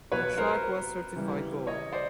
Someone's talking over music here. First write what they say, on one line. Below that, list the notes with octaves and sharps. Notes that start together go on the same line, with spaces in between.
The track was certified gold.
B2 F#3 B4 C#5
A#4 C5
C#3 E3 G3
C#5 D#5
C5 D5